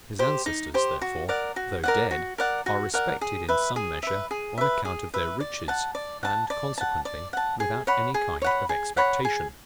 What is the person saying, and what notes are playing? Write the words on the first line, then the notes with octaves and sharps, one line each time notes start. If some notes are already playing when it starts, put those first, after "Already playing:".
His ancestors, therefore, though dead, are respected, in some measure, on account of their riches; and consequently, without any kind of expectation.
G4 C5
D#4
G4 C5
F#4
A#4 D5 F#5
F#4
A#4 D5 F#5
F#4
A#4 D5 F#5
F#4
A#4 D5 F#5
G#4
B4 E5
G#4
B4 E5
G#4
B4 E5
G#4
B4 E5
D5
F#5 A5
D5
F#5 A5
D5
F#5 A5
D5
F#5 A5
G#4
C#5 F#5 B5
G#4
C#5 F#5 B5
G#4
C#5 F#5 B5
G#4